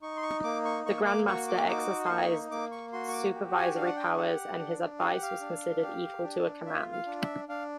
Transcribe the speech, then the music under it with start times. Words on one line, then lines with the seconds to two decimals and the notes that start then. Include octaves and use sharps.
The grandmaster exercised supervisory powers and his advice was considered equal to a command.
0.02 D#4 C#6
0.17 C6
0.23 C#6
0.44 A#3 D6
0.65 C#6
0.86 A#3 C#6
1.06 D6
1.27 F#4 C#6
1.48 D6
1.68 D#4 D6
2.05 C6
2.09 A#3 C#6
2.51 A#3 D6
2.71 C#6
2.93 F#4 C6
3.08 C#6
3.13 D6
3.35 G4
3.55 G#5
3.75 D4 F5
3.86 F#5
3.96 G5
4.17 G4 F#5
4.59 D4
4.99 G4 F5
5.11 F#5
5.23 F5
5.41 D4
5.83 G4
6.23 D4
6.66 F4 E5
6.92 F5
7.07 D4
7.21 E5
7.48 D4 F5